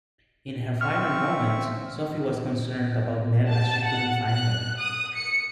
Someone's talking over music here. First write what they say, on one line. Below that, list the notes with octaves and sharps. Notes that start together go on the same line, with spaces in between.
In her final moments Sophie was concerned about Mel as she couldn't find her.
C4 E5 C#6 F6
A5
F#5
F#6
D#6
C#7